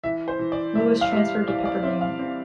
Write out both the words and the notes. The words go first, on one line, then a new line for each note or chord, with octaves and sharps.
Lewis transferred to Pepperdine.
E3 E5
C5
E3
D5
G2 E5
F5
G3 E5
E3 D5
D5
C4 E5
F5
C4